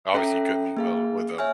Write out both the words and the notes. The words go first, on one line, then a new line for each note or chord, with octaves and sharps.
obviously couldn't, well, with, um,
C#4 A4 E5 G5 A#5
A#3 G#4 F5
C#5 E5 G#5 F6